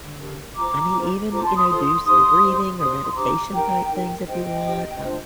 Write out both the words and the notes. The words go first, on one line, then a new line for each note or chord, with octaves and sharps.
um, I mean, even, you know, do some breathing or meditation type things if you want, um,
D4 G4 A#4
F4 C5 A#5 D6
F4 C5
F4 A4 C5 A#5 D6
A5 C6
C6 D#6
F4 A4 C5 C6 D#6
D#4 G4 C5 C6 D#6
D#4 G4 C5
D4 G4 C5 C6 D#6
C6
D4 G4 C5 A#5 D6
D#4 G4 A#4 G5 A#5
D#4 G4 A#4
D4 G4 C5 D#5 G5
D4 G4 C5
D4 F4 C5